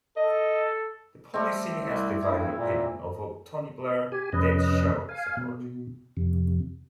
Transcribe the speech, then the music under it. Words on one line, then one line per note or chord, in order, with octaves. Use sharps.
The policy has divided opinion, although Tony Blair did show support.
A4 D#5
G3 A3 C4
C2
G2 E4
A#2
G4 G#5
F2 C3 C#4 B4 D#5
F5 G#5
B2
F2 C3